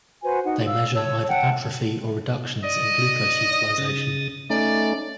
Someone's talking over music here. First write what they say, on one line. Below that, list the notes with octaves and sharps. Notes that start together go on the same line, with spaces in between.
They measure either atrophy or reductions in glucose utilization.
F#4 B4 C5 G#5
D#4 F#4 F#5
F5 E6
C#5 A5 E6
F#5 G5 A5
D5 D#5
C#3 D#6 A6
A3 C#4 D#4 D5